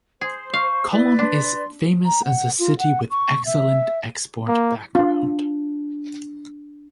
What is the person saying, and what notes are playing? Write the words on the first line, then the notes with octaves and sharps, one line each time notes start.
Kollam is famous as a city with excellent export background.
G#4 C5
F5 C#6
E4 B4 D5
D4 C6
A#5
F#5
F4
F#5
C#6
E5
A#3
C#4 D4 F4